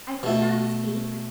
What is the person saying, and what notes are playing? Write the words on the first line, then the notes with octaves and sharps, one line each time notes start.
I could not speak.
B2 A3